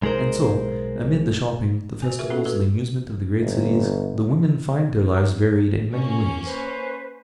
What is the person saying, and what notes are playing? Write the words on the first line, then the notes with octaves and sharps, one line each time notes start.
And so, amid the shopping, the festivals, the amusements of the great cities, the women find their lives varied in many ways.
B1 G#3 G#4 A#4 C5
F#4 C5 G#5
F4 G#4 A#4 B4 E5
A#3 C#4 E4 F#4 A4
F#4 A4 B4
G1
A#3 C#4
B4 C5